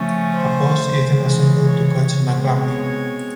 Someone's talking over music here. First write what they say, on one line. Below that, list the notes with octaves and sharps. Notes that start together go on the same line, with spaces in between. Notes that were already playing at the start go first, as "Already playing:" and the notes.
A posse is then assembled to catch McGaffey.
Already playing: C#3 F3 A3 C#4
C5
C#3 E3 G#3
C#5
B2 G#3 C4 C5
C#5